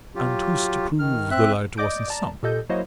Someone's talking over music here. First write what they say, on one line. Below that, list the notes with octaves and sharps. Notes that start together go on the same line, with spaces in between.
And who's to prove the lighter wasn't sunk?
F#3 F4 G4
D#3 F6
C4 E5 F#6
D5 D#5 D6 D#6 G6 D7
D5 A5 A#5
A#2 G4 A4 D#5 G6
F#3 A#3 E4 C5 C#5 D#5